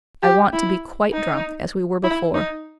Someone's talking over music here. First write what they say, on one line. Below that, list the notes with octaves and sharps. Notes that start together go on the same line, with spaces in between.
I want to be quite drunk, as we were before.
G4
E4
D#4
E4
D#4